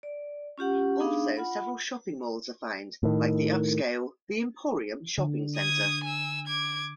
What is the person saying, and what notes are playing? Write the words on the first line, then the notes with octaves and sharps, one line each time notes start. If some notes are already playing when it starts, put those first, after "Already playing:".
Also several shopping malls are found, like the upscale The Emporium shopping center.
D5
C#4 F4 G4 F#5
B3 D4 D#4 G#4 F5
F4 F#5 B5
A2 D#3
D3
D#6 G#6
G#5 E6
D6 G#6